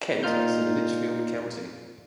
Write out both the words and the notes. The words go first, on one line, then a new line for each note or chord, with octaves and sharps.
Kent is in Litchfield County.
A#2 D#4 F4 F6 G6